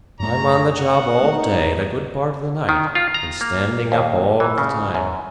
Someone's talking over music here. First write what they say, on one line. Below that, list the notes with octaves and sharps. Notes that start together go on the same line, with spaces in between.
I'm on the job all day and a good part of the night, and standing up all the time.
F#2 A3 C#5 A#5
F#4 A#4 F#5
A3 C4 D#4
D#3
F4
A#5
A#3
D#2
E3
C#3
F#2